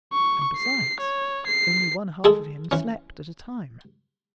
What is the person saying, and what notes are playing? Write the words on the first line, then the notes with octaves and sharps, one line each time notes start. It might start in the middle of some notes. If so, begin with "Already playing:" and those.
And besides, only one half of him slept at a time.
C#6
C7
C#5
C7
G#3 G#4 A4
E3 C#4